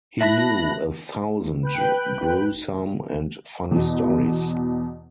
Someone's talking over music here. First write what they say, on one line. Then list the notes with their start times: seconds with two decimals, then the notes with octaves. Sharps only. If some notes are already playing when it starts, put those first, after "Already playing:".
He knew a thousand gruesome and funny stories.
0.21 E4 E5 A5 B5 F#6 A#6
1.63 B4 G5 F#6
3.71 E2 B2